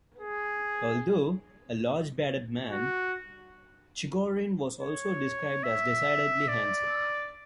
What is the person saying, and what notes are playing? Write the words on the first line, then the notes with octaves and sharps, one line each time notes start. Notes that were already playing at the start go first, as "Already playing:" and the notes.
Although a large bearded man, Chigorin was also described as 'decidedly handsome'.
G#4
F#4
C#5
E5
D5